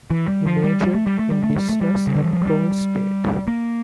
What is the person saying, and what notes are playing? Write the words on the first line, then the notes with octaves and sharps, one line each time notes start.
He majored in Business at Troy State.
E3
G3
F3
G3
G3
A3
G3
A3
G3
A3
G3
A3
G3
C#3
D3
E3
F3
G3
A#3